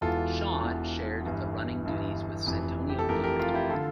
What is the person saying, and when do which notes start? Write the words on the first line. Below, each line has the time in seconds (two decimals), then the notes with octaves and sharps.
Shaud shared the running duties with Santonio Beard.
0.01 E1 E2 E3 F4 A4
0.62 E1 E2 E3
1.24 G1 G2 E3
1.85 G1 G2 E3
2.46 F1 F2 E3
2.89 G4
2.99 A4
3.08 F1 F2 E3 G4 A#4
3.23 G4 A#4
3.39 F4 A4
3.54 E4 G4
3.70 D3 F4 A4